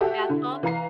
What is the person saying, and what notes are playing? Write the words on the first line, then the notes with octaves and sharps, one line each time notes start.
Bath bombs.
F#4 G4 A4 E5
D3 E4
E3 F5 A#5 C7